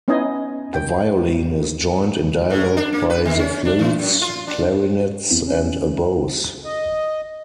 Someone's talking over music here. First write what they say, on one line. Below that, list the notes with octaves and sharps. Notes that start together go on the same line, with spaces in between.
The violin is joined in dialogue by the flutes, clarinets and oboes.
B3 C#4 D#4 E4 D#5 G#5
G5
A2
A#4
D4
A#3
B4
D#3
C#4
D4
E3
F#2
F4
D4
E2
C#4
D#5